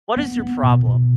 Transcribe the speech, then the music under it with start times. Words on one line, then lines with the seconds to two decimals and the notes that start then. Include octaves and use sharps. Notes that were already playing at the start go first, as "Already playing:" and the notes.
"What is your problem?
0.17 B3
0.40 B3
0.63 B2
0.86 B2